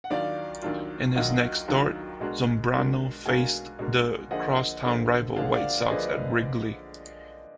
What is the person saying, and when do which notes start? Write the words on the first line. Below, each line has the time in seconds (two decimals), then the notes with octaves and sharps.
In his next start, Zambrano faced the cross-town rival White Sox at Wrigley.
0.04 F#5
0.10 D#2 D#3 F#3 D4 F4 D5 F5
0.62 D#2 D#3 F#3 D4 F4
1.15 D#2 D#3 F#3 D4 F4 D#5 F#5
1.68 D#2 D#3 F#3 D4 F4
2.20 B2 G#3 D4 F#4 A#4
2.73 B2 G#3 D4 F#4 A#4
3.26 B2 G#3 D4 F#4 A#4 F5 G#5
3.79 B2 G#3 D4 F#4 A#4
4.31 D3 F3 A#3 D4 G#4 D#5 F#5
4.83 D3 F3 A#3 D4 G#4
5.36 D3 F3 A#3 D4 G#4 F5
5.45 F#5
5.53 D5 F5
5.81 D5
5.88 D3 F3 A#3 D4 G#4 B4 D#5